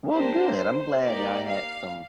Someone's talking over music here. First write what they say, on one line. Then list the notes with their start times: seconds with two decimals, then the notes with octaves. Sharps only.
Well, good, I'm glad I had some,
0.13 A#3 D4 G4 C5
1.03 A#3 D#4 G4 D5
1.49 F5